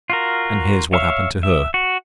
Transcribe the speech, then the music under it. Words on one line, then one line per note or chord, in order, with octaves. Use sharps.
And here's what happened to her.
F4 F#4 A#4
C#5 E5 F5
E5
F#4